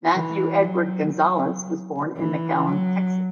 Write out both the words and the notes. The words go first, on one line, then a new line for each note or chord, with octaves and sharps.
Matthew Edward Gonzalez was born in McAllen, Texas.
E3
F#3
F#3
E3
F#3